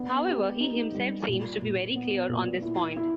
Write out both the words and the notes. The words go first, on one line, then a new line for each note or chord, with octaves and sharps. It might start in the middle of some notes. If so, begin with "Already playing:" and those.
However, he himself seems to be very clear on this point.
Already playing: B3 D4
G4
D#4
G3
A#2
A#2
B3
A#2
E4
E4